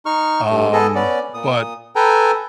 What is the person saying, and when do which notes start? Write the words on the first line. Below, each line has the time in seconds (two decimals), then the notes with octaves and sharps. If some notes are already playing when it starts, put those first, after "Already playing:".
um, but
0.06 D#4 C#6 F6
0.50 G2 A3
0.73 G#3 B3 G#4 A4 D#5
0.95 B3 C#4 D5
1.34 A#2 D#6
1.96 A4 B4 G5 G#5 A#5